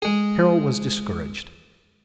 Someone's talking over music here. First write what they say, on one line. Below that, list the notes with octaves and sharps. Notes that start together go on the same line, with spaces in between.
Carol was discouraged.
G#3 G#4